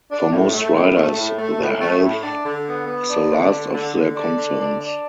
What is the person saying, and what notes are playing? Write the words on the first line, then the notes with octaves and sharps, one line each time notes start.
For most riders, their health is the last of their concerns.
D4
A2
A3
A2
A3
A2
A3
A2
A3
A2
D4
D3
B3
B3
D4
D3
D3
D3
D3
D4
D3
D4
D4